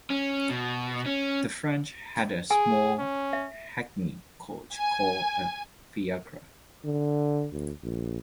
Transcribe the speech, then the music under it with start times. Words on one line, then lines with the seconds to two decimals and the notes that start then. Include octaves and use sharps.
The French had a small hackney coach called a "fiacre".
0.10 C#4
0.50 B2
1.06 C#4
2.51 G#4 G#5
2.99 C#4
3.33 E5
4.74 G#5
6.85 D3
7.53 D2
7.83 A#1